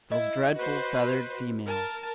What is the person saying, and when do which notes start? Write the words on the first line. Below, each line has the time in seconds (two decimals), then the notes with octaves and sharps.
Those dreadful feathered females!
0.12 E4 D#5
0.56 F#4 B4 C5
1.66 A#4 A5